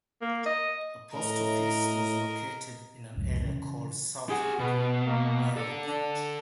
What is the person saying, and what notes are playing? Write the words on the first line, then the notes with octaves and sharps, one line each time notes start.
A post office was located in an area called South Loup, near the bridge.
A#3
D#5
A2 A#4 D#5
F1 C2 F2 G#2
C#3 E3
G4 G#4 F#5
B2 B3
A#3
A4 D5
D4